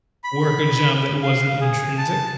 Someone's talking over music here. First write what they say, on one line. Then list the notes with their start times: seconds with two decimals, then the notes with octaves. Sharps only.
work a job that wasn't intrinsic,
0.24 B5
1.23 F5
1.61 G#4
1.98 A5